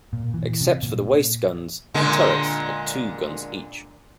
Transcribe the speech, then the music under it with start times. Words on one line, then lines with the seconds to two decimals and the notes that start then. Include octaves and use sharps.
Except for the waist guns, the turrets had two guns each.
0.13 A#2
0.34 E3
0.61 C3
0.83 A#2
1.94 A#2 D3 G#3